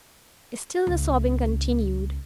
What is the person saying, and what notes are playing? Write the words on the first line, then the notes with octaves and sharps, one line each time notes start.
Still the sobbing continued.
C#2